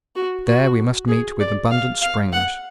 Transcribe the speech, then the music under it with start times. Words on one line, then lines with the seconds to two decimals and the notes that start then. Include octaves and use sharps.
There we must meet with abundant springs.
0.16 F#4
0.47 F#4
1.08 G#4
1.40 D5
1.70 F5
2.02 F5
2.32 F#5